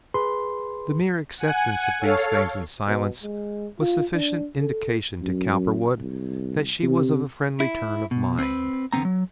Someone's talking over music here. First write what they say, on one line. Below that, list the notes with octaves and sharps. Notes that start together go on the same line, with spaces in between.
The mere acceptance of these things in silence was sufficient indication to Cowperwood that she was of a friendly turn of mind.
G#4 B4 B5 C6
F#5 G#5
A4 C#5 F5
B2
G#3
F4
D4
A4
F#2
C2
C3
E4
B2
C4 B4
E2 D3 F3 B3 C4 A#5
F#3